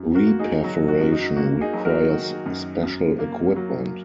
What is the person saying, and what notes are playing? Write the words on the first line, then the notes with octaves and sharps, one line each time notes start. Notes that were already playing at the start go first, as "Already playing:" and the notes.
Re-perforation requires special equipment.
Already playing: F#2
F#4 A#4
A#3
D#4 G#4
F#3 F#4
F#4
F#2
D#4
A#3 F#4
D#4 G#4
F#3
F#4 A#4
D#3 F#4
F#2
F#2
A#3
F#3